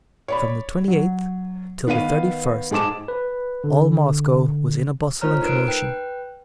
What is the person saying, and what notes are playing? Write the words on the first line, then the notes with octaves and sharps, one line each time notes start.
From the twenty-eighth till the thirty-first all Moscow was in a bustle and commotion.
C#5 D5 B5
F#3
D#3 B3 B4 F5 D#7
G#2 G#4 A5 D6 E7
B4
D3
A3 F4 C5 C#5 A#5 F6
D#4 A#4 B4 F#6 D7
B4 G5 F#6